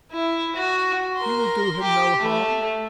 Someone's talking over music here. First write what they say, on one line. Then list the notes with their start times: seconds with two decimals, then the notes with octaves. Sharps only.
You will do him no harm.
0.12 E4
0.55 F#4
1.17 A#4 C6
1.81 G4
2.20 A3